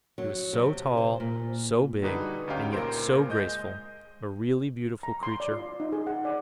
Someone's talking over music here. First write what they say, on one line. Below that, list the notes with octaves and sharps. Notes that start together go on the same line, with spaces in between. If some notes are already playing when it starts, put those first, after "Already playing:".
She was so tall, so big, and yet so graceful: a really beautiful creature.
F#3
C3
C5
A#2
D3 G3 D#4 F#4 G#4 B4
D2 C#4 D#4 G4 F5 G5
C#2 A#2 A#4 C5 C6 D7
G#3 D#5 G6
A#5
C6
D5
F4
D#4
G#4
F#5
D5